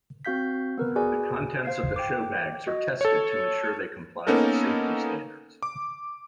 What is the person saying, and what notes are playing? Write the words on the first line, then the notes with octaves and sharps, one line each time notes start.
The contents of the showbags are tested to ensure they comply with safety standards.
C4 F#4 F5 G6 B6
B3 A#4 B4
F#4 G#4 B4 D5 G#5
C5 F5 G#6 C7
G5 D6
F#4 D#5
A4 C#5
A#3 B3 C#4 D#4 A4 A#4
D6